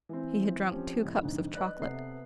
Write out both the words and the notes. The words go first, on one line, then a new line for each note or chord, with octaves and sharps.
He had drunk two cups of chocolate.
E3 C4
F3 C4 C#4 G4
F2 A2
F2 G#2 D3
B4 D5 D#5 F#6
C3 B3 A4 B4 E5 C7